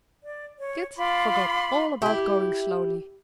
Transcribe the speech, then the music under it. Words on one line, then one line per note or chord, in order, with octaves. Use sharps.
Kit forgot all about going slowly.
D5
C#5
F4 B5 C6 D6
E4 G4